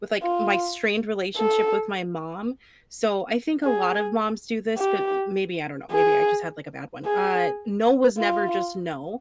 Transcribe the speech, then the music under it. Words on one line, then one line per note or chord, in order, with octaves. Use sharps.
with, like, my strained relationship with my mom, so, I think a lot of moms do this- but m m maybe, I don't know, maybe I just had, like, a bad one- uh, no was never just no
F4
A4
G#4
G4
G#4
G#4
F4